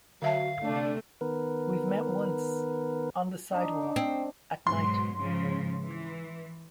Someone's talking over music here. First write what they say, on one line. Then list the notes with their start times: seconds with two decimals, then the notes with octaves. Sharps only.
We've met once - on the sidewalk at night.
0.22 D3 F#3 E5 F5 A5
0.63 C3 A3 D4
1.21 D#3 B3 A#4 B4
3.52 D4 D#4
3.82 D6
3.96 C4
4.67 G#2 B2 F#3 C6
5.15 G#2 C#3 F3
5.84 E3